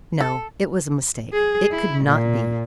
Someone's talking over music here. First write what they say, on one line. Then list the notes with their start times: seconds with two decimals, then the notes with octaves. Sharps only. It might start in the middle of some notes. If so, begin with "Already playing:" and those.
No, it was a mistake; it could not be.
0.20 A4
1.33 G#4
1.72 E4
2.04 A#2